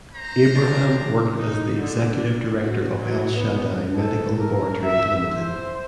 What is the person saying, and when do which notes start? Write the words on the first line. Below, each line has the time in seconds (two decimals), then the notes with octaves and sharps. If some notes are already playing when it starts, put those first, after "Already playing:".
Abraham worked as the executive director of El Shaddai Medical Laboratory Limited.
0.14 C5 A#5
0.55 D4
1.37 D#4
1.79 D3
2.16 D4
2.59 F#4
2.98 F#3
3.34 B3
3.96 A4
4.40 A#4
4.83 E5
5.34 C5